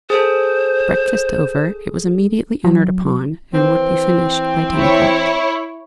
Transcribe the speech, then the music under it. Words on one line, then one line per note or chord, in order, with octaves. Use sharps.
Breakfast over, it was immediately entered upon, and would be finished by ten o'clock.
G#4 A4 C5
F#3
E3 C4
E4 C#5